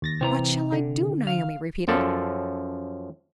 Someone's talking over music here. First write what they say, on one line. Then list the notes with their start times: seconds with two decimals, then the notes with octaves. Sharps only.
"What shall I do?" Naomi repeated.
0.02 D#2 A6 A#6
0.21 C3 E3 C4 C#5 A#5
0.72 D3
1.27 F5
1.88 F#2 F3 A4 D5